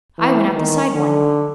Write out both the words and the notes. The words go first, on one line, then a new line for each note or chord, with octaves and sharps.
I went out the side one.
E3
D#3
D3